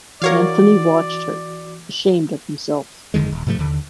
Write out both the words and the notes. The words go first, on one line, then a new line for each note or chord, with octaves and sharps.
Anthony watched her — ashamed of himself.
E3 F#4 A#4 C#5 D5 F5
F1 D3 D#3 G#3
D#1
G#2 C3 F3 A3
D#2 D3